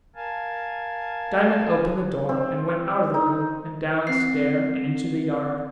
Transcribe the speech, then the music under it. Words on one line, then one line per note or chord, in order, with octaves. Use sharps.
Diamond opened the door, and went out of the room, and down the stair and into the yard.
A#4 F5 G#5 A5
C4
D#4
C4 C7